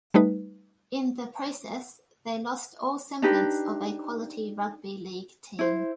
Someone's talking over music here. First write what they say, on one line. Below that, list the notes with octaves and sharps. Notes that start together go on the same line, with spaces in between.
In the process they lost all semblance of a quality rugby league team.
G3 A3 D#4 B4
D4 D#4 G4 B4
E4 C5